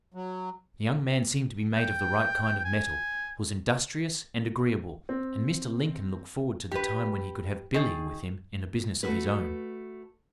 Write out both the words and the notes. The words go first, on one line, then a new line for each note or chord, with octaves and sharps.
The young man seemed to be made of the right kind of metal, was industrious, and agreeable, and Mr. Lincoln looked forward to the time when he could have "Billy" with him in a business of his own.
F#3
G5
G#5
C4
G4 B4
D#3 G#4
A3 F#4 B4